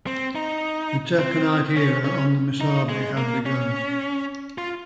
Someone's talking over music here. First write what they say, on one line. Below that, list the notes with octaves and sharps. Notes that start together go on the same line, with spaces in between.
The taconite era on the Missabe had begun.
C4
D#4
C4
C#4
C#4
D#4
G#3
A#3
C#4
F4